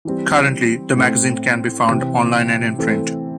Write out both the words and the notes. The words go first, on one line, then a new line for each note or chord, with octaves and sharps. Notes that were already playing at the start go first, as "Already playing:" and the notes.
Currently, the magazine can be found online and in print.
E3 G3 C4
A2 A3 C4
C3 E3 C4
E3 A3 C4 A4